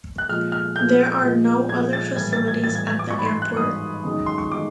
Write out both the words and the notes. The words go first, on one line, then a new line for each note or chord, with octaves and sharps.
There are no other facilities at the airport.
F#6
A#2 F3 G#3 F6
F6
A#2 F3 G#3 G6
A#2 F3 G#3
A#2 F3 G#3 G#6
A6
A2 E3 G3 G#6
A6
G#6
A2 E3 G3 A6
G#6
G#6
D6
G#2 E3 G3 C#6
B5
C6
F#6
G#2 E3 G3 D#6
F#2 D#3 G#3
C6
C#6
D#3 G#3 D6